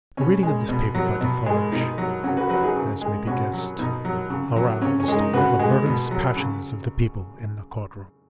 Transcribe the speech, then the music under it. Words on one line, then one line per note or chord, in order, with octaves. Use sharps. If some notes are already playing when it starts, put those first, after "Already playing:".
The reading of this paper by Defarge, as may be guessed, aroused all the murderous passions of the people in the court room.
B2 C#4
G#3
B2
F#3
B2
G#3
B2 D#4
F#3
C#3 C#4 F#4
F#4 B4
F#3 F#4 B4
D#4 G#4
C#3
G#3
B2 C#4 F#4
F#3
B2 D#4
F#3
C#3
F#3
C#3 C#4
C#4
G#3
D#4
C#3 F#4 B4
G#3
B2
F#3
C#3